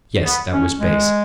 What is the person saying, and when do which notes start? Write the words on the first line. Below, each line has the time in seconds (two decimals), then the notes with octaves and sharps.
Yes, that was base.
0.25 B3
0.52 C#4
0.79 G#3